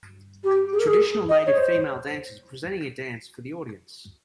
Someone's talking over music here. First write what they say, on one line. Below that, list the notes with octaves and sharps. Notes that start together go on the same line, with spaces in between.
Traditional native, female dancers presenting a dance for the audience.
G4
G#4
A#4
G#4
D#5
C#5
C5